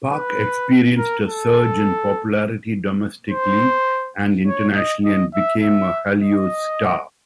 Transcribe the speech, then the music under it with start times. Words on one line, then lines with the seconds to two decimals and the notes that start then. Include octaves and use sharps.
Park experienced a surge in popularity domestically and internationally, and became a Hallyu star.
0.11 B4
0.98 A#4
1.28 A4
3.30 C5
4.47 C#5
4.76 D#5
5.05 D#5
5.34 E5
5.63 E5
6.20 D#5